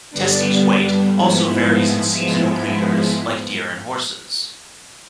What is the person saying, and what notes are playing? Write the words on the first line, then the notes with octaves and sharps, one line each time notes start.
Testis weight also varies in seasonal breeders like deer and horses.
G2 D3 G3 B3 D4
G#2 F3 G#3 B3 E4
G#2 F3 G#3 B3 E4